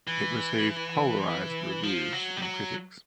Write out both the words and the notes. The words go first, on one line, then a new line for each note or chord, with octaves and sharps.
It received polarized reviews from critics.
E3
F3
F#3
G3
F#3